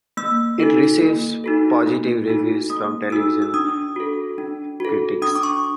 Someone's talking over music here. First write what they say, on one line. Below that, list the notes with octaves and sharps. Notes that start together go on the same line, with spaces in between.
It received positive reviews from television critics.
A#3 E6
D#4 F#4 A4
A#3
D#4 F#4 A4
A#3
D#4 F#4 A4
A#3 D#6
D#4 F#4 A4 E6
E6
D4 D#6
F#4 A4
D4
F#4 A4
D4 D#6
D6
C#6